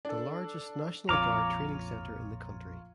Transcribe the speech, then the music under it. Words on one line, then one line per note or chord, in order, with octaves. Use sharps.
The largest National Guard training center in the country.
D4 A4
A#1 F2 F4 C#5 A#5 D6 F6